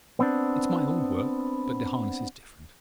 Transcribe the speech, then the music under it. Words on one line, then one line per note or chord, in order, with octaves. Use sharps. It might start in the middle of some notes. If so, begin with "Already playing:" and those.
It's my old work, but the harness is different.
B3 C4 D4